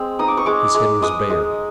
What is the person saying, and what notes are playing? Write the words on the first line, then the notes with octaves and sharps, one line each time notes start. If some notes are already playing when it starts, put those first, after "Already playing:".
His head was bare.
Already playing: G#3 C4
D#4 D#6
D6
C#6
G#3 D6
G#3
G#3 D#6
G#3